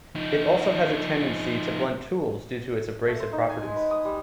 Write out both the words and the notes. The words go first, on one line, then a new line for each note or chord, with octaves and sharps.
It also has a tendency to blunt tools due to its abrasive properties.
F3 D#4
A3
C5
D#4
G#5
G#3
B4
D#6
G3